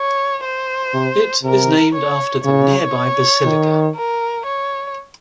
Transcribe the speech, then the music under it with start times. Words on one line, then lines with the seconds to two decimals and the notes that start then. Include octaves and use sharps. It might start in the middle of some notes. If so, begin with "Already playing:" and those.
It is named after the nearby basilica.
Already playing: C#5
0.43 C5
0.94 C3
1.44 C3 A#4
1.94 C#5
2.45 C#3 C#5
3.45 D#3
3.95 A#4
4.45 C#5